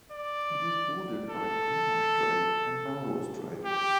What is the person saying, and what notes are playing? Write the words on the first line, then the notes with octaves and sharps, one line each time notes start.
It is bordered by Hindmarsh Drive and Melrose Drive.
D5
A4
G4